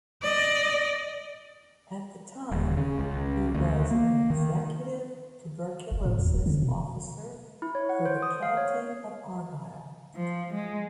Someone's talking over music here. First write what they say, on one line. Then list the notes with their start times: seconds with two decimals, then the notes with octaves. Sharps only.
At the time he was an Executive Tuberculosis officer for the County of Argyll.
0.22 D5 D#5
2.51 D#1
2.77 C#3
2.99 C#2
3.55 D2
3.91 A#3
4.30 D#3
5.91 F#1
6.05 A2
6.18 E2
6.34 D#1
6.46 D3
6.62 B2
7.62 E4
7.75 C#5
7.89 F#5
8.06 C5
8.22 D#6
8.43 F5
8.57 C#5
10.16 F3
10.54 G#3